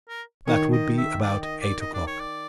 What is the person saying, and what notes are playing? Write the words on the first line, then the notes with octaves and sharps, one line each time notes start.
That would be about eight o'clock.
A#4
D#3 C#5
D#5
E5
D5
D#5
D5
D#5
D5
C#5
D5